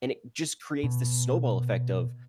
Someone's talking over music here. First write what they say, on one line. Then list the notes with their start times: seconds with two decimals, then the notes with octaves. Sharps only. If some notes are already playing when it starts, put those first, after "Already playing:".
and it just creates this snowball effect of
0.84 B2